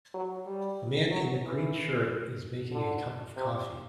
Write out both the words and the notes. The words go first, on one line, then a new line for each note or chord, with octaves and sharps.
A man in a green shirt is making a cup of coffee.
F#3
G3
F#3
E3
D3
C3